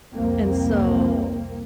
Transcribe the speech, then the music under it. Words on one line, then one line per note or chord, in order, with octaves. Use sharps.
and so
C2 F2 A#3 C4